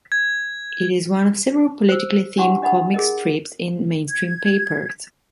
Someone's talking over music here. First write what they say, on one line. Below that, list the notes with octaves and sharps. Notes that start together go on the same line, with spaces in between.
It is one of several politically themed comic strips in mainstream papers.
G#6
C5 E6
D4 E4 G4 F#5 C#6
D4 D#5 F#5 B5
G#4 A#4 D#5
G#6